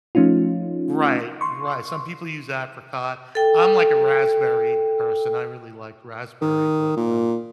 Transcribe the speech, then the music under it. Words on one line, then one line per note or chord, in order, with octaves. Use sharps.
Right, right, some people use apricot. I'm, like, a raspberry person. I really like raspberry, but, um,
F3 A3 C#4 D#4 F4
C6 C#6
A4 G5
D#3
A#2